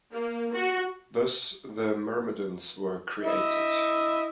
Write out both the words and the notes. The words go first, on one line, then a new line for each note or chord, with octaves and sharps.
Thus the myrmidons were created.
A#3
F#4
E4 D#5 E5